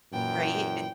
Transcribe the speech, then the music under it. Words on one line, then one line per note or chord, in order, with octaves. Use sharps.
Right, it
F#2 A#2 E3 G5